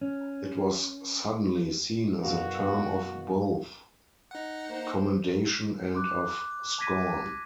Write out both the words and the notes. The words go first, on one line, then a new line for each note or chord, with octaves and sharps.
It was suddenly seen as a term of both commendation and of scorn.
C#4
F#1 B2 F#4 F5
D#4 F#5
A#3 C5
C6 D6 F#6
A5 D6 G#6 A#6 B6 D#7